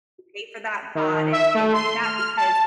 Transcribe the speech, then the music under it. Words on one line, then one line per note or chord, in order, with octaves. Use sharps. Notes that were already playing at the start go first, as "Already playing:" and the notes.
pay for that bot and and do that because
D#3
E5
A3
C6
F6
F6
A5